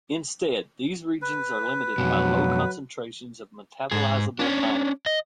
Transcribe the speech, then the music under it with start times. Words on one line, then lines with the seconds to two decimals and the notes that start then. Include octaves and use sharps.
Instead, these regions are limited by low concentrations of metabolizable iron.
1.22 B4
1.98 F2 B2 F#3
3.91 G#2 G#4
4.39 C#4 D4
5.06 D#5